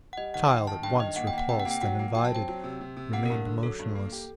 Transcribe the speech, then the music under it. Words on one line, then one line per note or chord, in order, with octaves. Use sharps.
The child, at once repulsed and invited, remained motionless.
F#5
G3 D#5
D#3 F#5
D#4 G5
D#3 A5
G2 G5
D#3 D#5
A#3 F#5
G5
A#3
F#5
C3 G5
F#5
A#3
G5
F#3 F#5
A#3
F#3 G5
A5
C4 G5
F#3
C3
C3
C3
A#3 F#5
G2 A#4
D3
F#3 A4
G2
A#3
G4